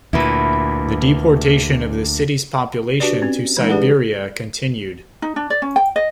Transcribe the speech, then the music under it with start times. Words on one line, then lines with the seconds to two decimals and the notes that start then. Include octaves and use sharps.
The deportation of the city's population to Siberia continued.
0.13 D2 A#2 E4 B4
3.00 D4 F#4 G4 B4 D5
3.22 C4 C#4
3.57 E3 G#3 D#4
3.69 D4 G4 G#4 B4 D5 F#5
5.22 D#4
5.36 D4
5.50 D5
5.62 C#4
5.76 G5
5.96 D#5